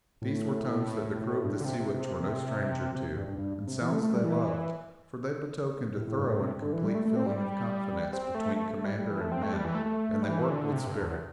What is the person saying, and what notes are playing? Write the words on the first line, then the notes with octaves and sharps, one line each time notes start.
These were tones that the crew of the "Sea Witch" were no strangers to, and sounds they loved, for they betokened a thorough and complete feeling of confidence between commander and men, and they worked with spirit.
A2
A2
G2
D3
C3
C3
C3
C3
G2
G2
G2
C3
E3
A3
A3
G3
E3
A2
A2
G2
A2
C3
D3
E3
G3
A3
A3
C4
G3
C4
A3
A3
A3
G3
G3
E3
A3
C4
A3
G3
E3
A3
A3
G3
E3
D3
C3
G2
E2